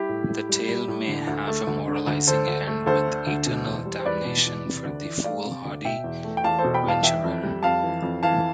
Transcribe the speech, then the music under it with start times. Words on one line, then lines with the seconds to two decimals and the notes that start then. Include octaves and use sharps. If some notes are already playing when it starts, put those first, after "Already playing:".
The tale may have a moralizing end, with eternal damnation for the foolhardy venturer.
Already playing: G3 E4 G4
0.09 A2
0.29 A2
0.49 G3
0.68 G3
0.88 A2
1.08 D3
1.27 D2
1.48 A3
1.67 D2
1.88 D3
2.07 D2
2.27 D3 A4 C5
2.48 D2
2.67 A3
2.86 D2 A4 C5
3.07 D3
3.27 D2
3.46 B2
3.66 E2
3.86 G3
4.00 C5
4.06 E2 B4 D5
4.25 B2
4.46 E2
4.66 C3
4.86 D2
5.05 E3
5.24 A3 D5 F5
5.45 C3
5.65 D2
5.85 B2 E5 G5
6.04 E2
6.24 A3
6.37 G5
6.44 E2 F5 A5
6.59 A4 C5
6.64 B2
6.74 G5 B5
6.83 E2
6.88 F5 A5
7.03 E3 E5 G5
7.24 F2
7.43 G3
7.63 F2 F5 A5
7.84 E3
8.02 F2
8.23 E3 F5 A5